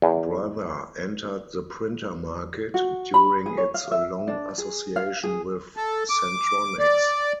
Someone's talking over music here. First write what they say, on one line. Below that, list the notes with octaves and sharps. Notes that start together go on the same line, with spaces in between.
Brother entered the printer market during its long association with Centronics.
E2
F#4
B5
G#4
C#5
F5
E5
D4
G#4
F5
G#4
A4
D6
D5